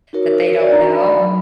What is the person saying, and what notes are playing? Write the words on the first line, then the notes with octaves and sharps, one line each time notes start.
that they don't know,
D#4 F#4 A#4 C#5
F#4 A#4 D5
D4 D#4 A#5
D5 B5
F#3